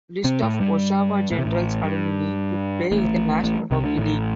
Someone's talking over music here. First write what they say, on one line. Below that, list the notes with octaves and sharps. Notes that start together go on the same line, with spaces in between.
List of Oshawa Generals alumni to play in the National Hockey League.
C3 C4
A2 A3
G2 G3
A2
C3
A1 A2
G2
A1 A2
A1 A2
C2 C3
D2 D3
A1 A2